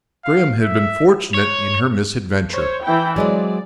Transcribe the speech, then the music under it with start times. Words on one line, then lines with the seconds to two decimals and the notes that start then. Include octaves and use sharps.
Grim had been fortunate in her misadventure.
0.25 F5
0.62 E5
1.34 C#5
2.51 C5 C#5
2.83 E3 E4 G5
3.16 F#3 G#3 C4 D5